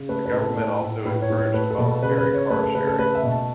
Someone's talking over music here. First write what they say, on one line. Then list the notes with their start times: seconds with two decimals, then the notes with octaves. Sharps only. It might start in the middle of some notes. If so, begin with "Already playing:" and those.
The government also encouraged voluntary car sharing.
Already playing: C#3
0.09 A3 B4
0.25 B4
0.33 A2
0.41 A4
0.57 A3
0.82 A2
1.05 A2 B4
1.22 C#5
1.30 A2
1.38 C#5
1.54 A3 B4
1.71 A4
1.78 B2
1.86 A4
2.03 C#3 B4
2.18 B4
2.26 C#3
2.34 C#5
2.50 A3 B4
2.63 A4
2.75 C#3 B4
2.87 A4
2.99 A3 B4
3.15 E5
3.23 B2
3.32 A5